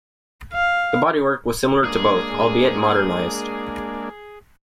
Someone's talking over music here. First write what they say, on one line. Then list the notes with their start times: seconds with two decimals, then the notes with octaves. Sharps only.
The bodywork was similar to both, albeit modernised.
0.53 F5
1.84 G#3 A#3 D4 G#4